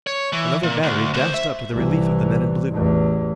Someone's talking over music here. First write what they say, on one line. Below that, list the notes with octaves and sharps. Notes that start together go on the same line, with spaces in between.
Another battery dashed up to the relief of the men in blue.
C#5
E3
A#2
D2
D2 C5
E5
C2 E3
A1 E2